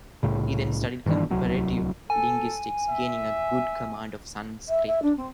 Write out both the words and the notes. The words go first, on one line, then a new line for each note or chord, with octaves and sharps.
He then studied comparative linguistics, gaining a good command of Sanskrit.
C2 A2 C#3
G2 D#3 E3 D4
D1 C2 F#3
A4 G#5
E5
E5
E5
D4
C4